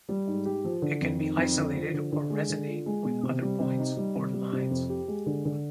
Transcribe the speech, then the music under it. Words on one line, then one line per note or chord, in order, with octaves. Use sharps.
It can be isolated or resonate with other points or lines.
G3
G#2
G4
F3
D3
F2
D#3
F2
D3
F3
D3
D3
G#3
D3
F4
G#3
B2
C3
G3
C3
D#4
G3
C3
G3
C3
F2
G4
G#3
D3
D3